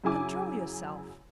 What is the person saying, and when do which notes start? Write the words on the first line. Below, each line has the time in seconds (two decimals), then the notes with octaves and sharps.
Control yourself!
0.04 F#2 C#3 E4 G#5 D6